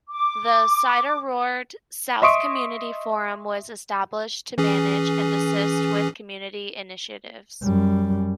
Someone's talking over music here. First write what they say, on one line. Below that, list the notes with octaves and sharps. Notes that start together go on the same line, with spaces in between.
The Suideroord South Community Forum was established to manage and assist with community initiatives.
D6
D#5 E5 C6 C#6 D#6 D7
E3 C#4 G#4
F#2 G3